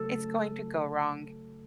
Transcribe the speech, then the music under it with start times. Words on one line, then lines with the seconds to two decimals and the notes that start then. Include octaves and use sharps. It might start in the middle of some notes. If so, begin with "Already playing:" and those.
it's going to go wrong,
Already playing: C#3 F#3 A3 A4